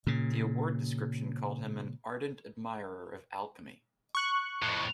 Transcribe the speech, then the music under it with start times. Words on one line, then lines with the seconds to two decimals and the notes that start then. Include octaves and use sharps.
The award description called him an ardent admirer of alchemy.
0.07 A#2 C#3
4.15 C#6 F#6
4.63 F2 A2